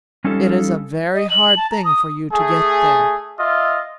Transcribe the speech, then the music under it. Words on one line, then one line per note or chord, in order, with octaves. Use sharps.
It is a very hard thing for you to get there.
G3 C#4 D#4 F4 G4 A4
D#5
F#7
A5
A#5
D#6
A3 G#4
F4 D#5 E5